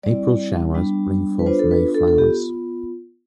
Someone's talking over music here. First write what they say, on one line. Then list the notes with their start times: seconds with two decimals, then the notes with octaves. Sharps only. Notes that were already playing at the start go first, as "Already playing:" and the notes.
April showers bring forth May flowers.
0.03 G3 C4 E4 D5
0.75 G3 B3 D4
1.39 B4
1.46 B3 D4 F4 C5
1.59 A4
1.71 B4
1.95 A4
2.08 A4
2.18 B3 F4 G4